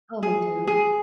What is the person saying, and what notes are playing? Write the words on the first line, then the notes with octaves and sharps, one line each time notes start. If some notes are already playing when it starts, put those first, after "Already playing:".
Oh, me too.
G#4
G#4